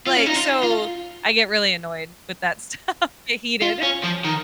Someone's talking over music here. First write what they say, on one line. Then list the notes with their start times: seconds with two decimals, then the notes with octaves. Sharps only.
like, so I get really annoyed with that stuff, get heated.
0.07 F4
0.17 C#4
0.26 D#4
0.35 F4
0.63 F4
3.62 F4
3.83 C#4
4.04 F3
4.24 D#3